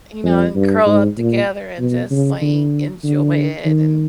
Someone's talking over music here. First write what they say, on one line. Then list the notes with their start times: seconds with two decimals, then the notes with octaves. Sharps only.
you know, and curl up together and just, like, enjoy it and
0.24 F2
0.55 G2
0.86 G#2
1.18 A#2
1.79 B2
2.11 C#3
2.42 D3
3.04 D3
3.66 D#3